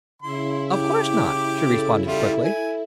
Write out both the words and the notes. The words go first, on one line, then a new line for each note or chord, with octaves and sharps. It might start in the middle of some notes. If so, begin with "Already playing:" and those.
"Of course not," she responded, quickly.
C#3 E4 C6
G4 D6
A4
G3 F4 A4 E5
G#5